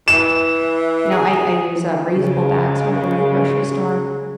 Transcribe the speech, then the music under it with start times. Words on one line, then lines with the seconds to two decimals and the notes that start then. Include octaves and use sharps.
you know, I I use, um, reusable bags when I go to the grocery store
0.08 E3 E7
1.11 G#4
2.11 C#3 G#3